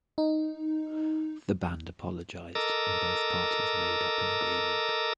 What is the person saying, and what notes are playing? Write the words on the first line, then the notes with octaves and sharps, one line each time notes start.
The band apologized, and both parties made up in agreement.
D#4
A4 A#4 D#5 A#5 D6 E6